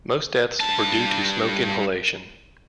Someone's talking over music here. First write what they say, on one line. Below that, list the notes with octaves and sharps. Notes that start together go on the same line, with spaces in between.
Most deaths were due to smoke inhalation.
G2 A5